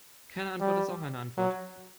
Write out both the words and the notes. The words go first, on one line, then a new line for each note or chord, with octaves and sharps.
Keine Antwort ist auch eine Antwort.
G3
F#3